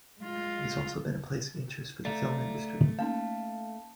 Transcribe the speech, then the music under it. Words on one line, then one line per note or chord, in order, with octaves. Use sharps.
It has also been a place of interest for the film industry.
G#3 F4
A3 D5 F5 A#5
A#3 C#4 D#4 F5 A5